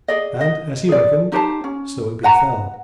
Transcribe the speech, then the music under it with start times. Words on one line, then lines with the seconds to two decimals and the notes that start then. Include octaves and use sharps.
And as he reckoned so it befell.
0.08 G#4 D5 D#5
0.41 D#5
0.89 G#4 D5
1.32 D#4 G4 C5 A5
1.64 C#4
2.23 B4 F#5 A#5